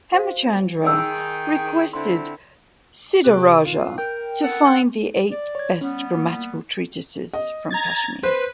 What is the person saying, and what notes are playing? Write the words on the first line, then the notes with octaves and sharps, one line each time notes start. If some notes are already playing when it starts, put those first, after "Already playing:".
Hemachandra requested Siddharaja to find the eight best grammatical treatises from Kashmir.
F#4 C5 F5
D#3 D#4 G#4 G5 E6
D3 C4 E4 C6
C3 G4 F#6
F4
A#4 G5
B3 A4 F#5
D5
C#5 G#6
G3 B3 C#4
A#3
D#5
A#5 G#6 A6
B4 C5